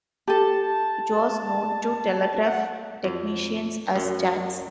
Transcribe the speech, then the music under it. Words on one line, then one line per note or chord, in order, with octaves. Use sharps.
It was known to telegraph technicians as 'chats'.
G4 A4 A5
F#5
F2
F#2